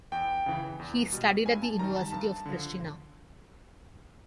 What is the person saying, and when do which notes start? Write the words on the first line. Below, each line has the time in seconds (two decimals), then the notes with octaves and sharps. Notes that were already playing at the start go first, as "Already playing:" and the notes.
He studied at the University of Prishtina.
0.12 E2 G5
0.46 C#3 E3
0.79 E2
1.12 B2 G3
1.46 G2 G#5
1.62 A5
1.79 D#3 G3 A#5
1.96 A5
2.12 G2 A5
2.46 D3 F3